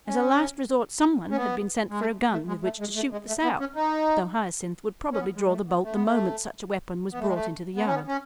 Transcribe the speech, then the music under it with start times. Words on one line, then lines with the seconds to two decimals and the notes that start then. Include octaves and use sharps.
As a last resort some one had been sent for a gun with which to shoot the sow, though Hyacinth would probably draw the bolt the moment such a weapon was brought into the yard.
0.08 C#4
1.30 C#4
1.36 B3
1.90 G#3
2.00 A3
2.32 A3
2.48 G#3
2.64 A3
2.80 G#3
2.96 A3
3.12 G#3
3.28 A3
3.44 B3
3.60 C#4
3.75 D#4
5.13 C#4
5.19 B3
5.36 G#3
5.46 G#3
5.52 A3
5.68 B3
5.84 A3
5.94 B3
6.04 A3
7.12 B3
7.19 A3
7.27 G#3
7.34 A3
7.76 B3
7.86 C#4
7.94 B3
8.07 C#4